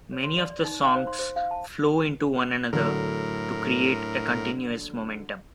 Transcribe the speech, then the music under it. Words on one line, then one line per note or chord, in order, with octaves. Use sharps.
Many of the songs flow into one another to create a continuous momentum.
C#5
C6
D5
D5
D#4
F5
C5
C6
C5
F5
A5
A2 D3 F#3 A#4